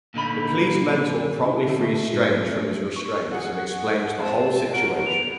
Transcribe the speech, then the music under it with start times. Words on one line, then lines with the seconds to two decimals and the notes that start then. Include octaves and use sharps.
The pleased mentor promptly frees Strange from his restraints and explains the whole situation.
0.14 A#2 D3 D#4 B5
1.44 E4
1.66 D3
1.80 A3
2.14 G#2
2.49 A3
2.96 C#6
3.31 F#4 G#4 F#5
4.19 G#3 C4 A5
4.73 F#4 A#4 D7
5.06 B3 F7